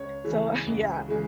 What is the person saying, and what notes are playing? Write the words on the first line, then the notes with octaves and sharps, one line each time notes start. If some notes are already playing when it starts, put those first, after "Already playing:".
So, uh, yeah,
Already playing: C#2 C#5
C#3 E3 G#3
C#2
C#3 E3 G#3